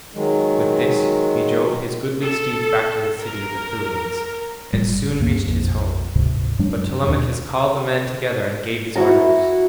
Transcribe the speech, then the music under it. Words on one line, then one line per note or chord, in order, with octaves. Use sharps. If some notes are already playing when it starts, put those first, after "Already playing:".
With this he drove his goodly steeds back to the city of the Pylians and soon reached his home, but Telemachus called the men together and gave his orders.
D#3 F#3 G#3
A4
A#4
F#1 A2 G3
D2 G2 A#3
A#1 F2 B2
D2 G#2 C3
F#2 F#3 G#3 D4
D#2 B2 D4
E4 F#4 A#5